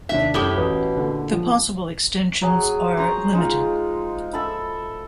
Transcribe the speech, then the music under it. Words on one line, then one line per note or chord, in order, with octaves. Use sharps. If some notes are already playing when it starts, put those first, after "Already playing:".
The possible extensions are limited.
D#2 C3 D4 E5
F#1 A2 E4 G4 D#6 G7
A1 B2 A#5 D#6
A#2 D3
F3
F#3 G#4
C5 A#5 C6 C#6
G#3 D#4 F4
A4 E5 B5